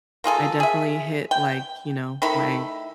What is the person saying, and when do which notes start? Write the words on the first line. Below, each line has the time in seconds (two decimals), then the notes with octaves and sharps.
I definitely hit, like, you know, my
0.24 A#3 F4 G#4 A4
0.60 G#4 E5
1.31 G5
2.22 D#3 A3 E4 B5